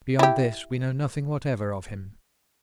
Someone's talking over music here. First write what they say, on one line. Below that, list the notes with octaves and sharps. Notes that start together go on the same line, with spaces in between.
Beyond this we know nothing whatever of him.
E4 G4